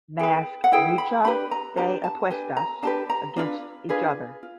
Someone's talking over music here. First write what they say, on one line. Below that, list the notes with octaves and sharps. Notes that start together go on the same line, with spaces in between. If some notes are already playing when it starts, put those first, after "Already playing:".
Mask "Lucha de Apuestas" against each other.
E4 G#4 B4 G5
F#5
E4 G#4 B4 G5
B5
D4 G4 B4 B5
A#5
D4 G4 B4 A#5
A5
D4 G4 B4 G#5
A#5
D4 G4 B4 A5
A#5
D4 F4 G#4 B4
D4 F4 G#4 B4
F4